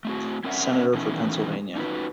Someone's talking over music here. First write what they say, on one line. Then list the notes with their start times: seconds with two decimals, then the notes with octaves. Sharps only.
Senator for Pennsylvania.
0.05 A3 C4 F#4
0.44 C4 C#4 A#4 D5 E5 F#5
0.94 B2 D#3 E3 A3 C#4 E4
1.75 C#4 D#4 F4 F#4 B4